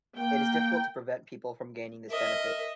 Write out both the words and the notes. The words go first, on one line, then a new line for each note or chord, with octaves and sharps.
It is difficult to prevent people from gaining this benefit.
A#3 G5
A#4 D#5 E5